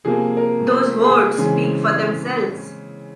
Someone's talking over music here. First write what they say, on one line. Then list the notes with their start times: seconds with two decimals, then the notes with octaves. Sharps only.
Those words speak for themselves.
0.05 C3 F3 A#3 G#4
0.37 A#4
0.71 C5
1.04 G#4
1.37 C#3 E3 G#3 C4 G#4